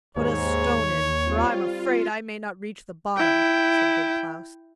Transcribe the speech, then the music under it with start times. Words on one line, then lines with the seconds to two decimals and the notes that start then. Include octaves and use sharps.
'Put a stone in, for I am afraid I may not reach the bottom,' said Big Klaus.
0.16 D#2 G#2 C#5
1.24 G3 C4 F4
3.17 E4 G5